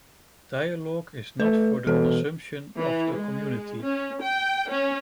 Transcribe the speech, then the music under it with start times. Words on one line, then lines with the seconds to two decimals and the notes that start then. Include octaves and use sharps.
Dialogue is not for the consumption of the community.
1.40 A3 B4
1.87 B2 E3 A4
2.78 E3
3.15 G#3
3.82 C#4
4.22 G5
4.69 C#4